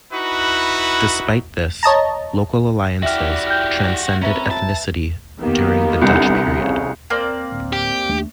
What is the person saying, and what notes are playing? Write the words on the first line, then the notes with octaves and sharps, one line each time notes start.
Despite this, local alliances transcended ethnicity during the Dutch period.
D#4 E4 F#4 B4
C#5 D#5 A5 A#5
E4 F#4 G4 D5 E5 G5 F6
F6 G6
C#2 F#2 C4 C#4 B4 E5 A#5
A5
D#3 A#3 B3 G4
C2 B2 D3
F2 C#3 C#4
A#3 C4 D5
D1
G4
D#2 A3 D4